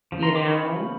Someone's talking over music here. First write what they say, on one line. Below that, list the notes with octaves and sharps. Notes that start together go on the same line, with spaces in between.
you know,
C#3 F3
A#5 C6
C6 D6
B5 C#6